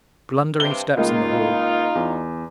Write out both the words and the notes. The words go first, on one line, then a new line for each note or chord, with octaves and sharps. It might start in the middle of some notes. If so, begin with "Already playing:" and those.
Blundering steps in the hall.
G2 C3 G7
C#2 A#3 D#4 F4 D#5
E2